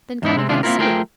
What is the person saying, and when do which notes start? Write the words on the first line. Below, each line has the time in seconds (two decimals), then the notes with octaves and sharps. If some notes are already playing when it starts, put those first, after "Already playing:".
Then come again soon.
0.22 E2 G#2 D#4 E4
0.36 C3 G#3 C4
0.49 C3 D#3 G#3 D4 F4 C5
0.63 A#3 C4 C#4 E4 F4 A#4
0.79 A3 F4 G#4 A#4 C5 G5